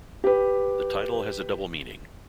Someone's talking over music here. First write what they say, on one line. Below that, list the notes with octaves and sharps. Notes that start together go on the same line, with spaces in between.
The title has a double meaning.
G4 B4